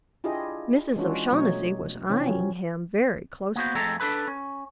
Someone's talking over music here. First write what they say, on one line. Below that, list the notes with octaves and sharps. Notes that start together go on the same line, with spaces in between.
Mrs. O'Shaughnessy was eyeing him very closely.
D4 E4 F4 G4 G#4 D#5
E3 G#3 C#4 D4 F4 F#4
B2 F#3 A3 D#4 C#5
C3 E3 C4 C#4
F3 F#3
A#3 B3 F#4 C5
F2 G#3 A3 A4 G5 A#5
D4 A4 B4 B5
C#4